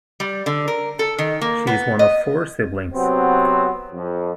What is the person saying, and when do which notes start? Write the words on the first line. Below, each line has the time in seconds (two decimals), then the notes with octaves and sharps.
She is one of four siblings.
0.20 G3
0.46 D3
0.68 A#4
0.99 A4
1.18 D#3
1.42 A#3
1.67 B3
1.99 D#5
2.94 C3 F#3 B3 C4
3.92 F2